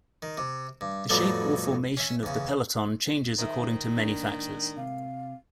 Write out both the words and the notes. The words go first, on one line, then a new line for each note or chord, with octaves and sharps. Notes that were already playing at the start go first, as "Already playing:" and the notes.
The shape or formation of the peloton changes according to many factors.
D#3
C3
G2
F2 A2 F#3 G3 A3 B3
C#4 E5
E2 C#3
D#3 C5 D#5 E5
A2 G#3 A#3 D4
C3 F5